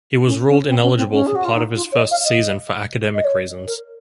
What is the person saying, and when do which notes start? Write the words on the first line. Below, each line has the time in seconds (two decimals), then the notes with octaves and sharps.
He was ruled ineligible for part of his first season for academic reasons.
0.26 C#4
0.47 C#4
0.69 C4
0.83 C#4
0.97 C4
1.12 C#4
1.27 G#4
1.35 F#4
1.45 F4
1.54 D#4
1.75 F4
1.92 C#5
1.97 D#5
2.11 F5
2.25 D#5
3.15 D#5
3.24 C#5
3.67 A#4